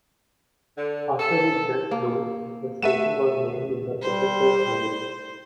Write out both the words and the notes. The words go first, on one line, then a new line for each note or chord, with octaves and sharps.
After his death, though, the station was named in the professor's memory.
D3
A4
A#3
A3 B4 E5 F#5 D#7 E7
G3 C5